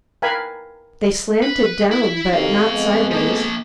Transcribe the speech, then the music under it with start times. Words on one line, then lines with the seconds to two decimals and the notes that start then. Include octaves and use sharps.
They slanted down but not sidewise.
0.22 A#4 B4 F5 G5 G#5 B5
1.42 B4
1.91 E4
2.33 D2 C3 D#3 C4 F5
2.71 F2 G#3 B3
3.11 F3 A#3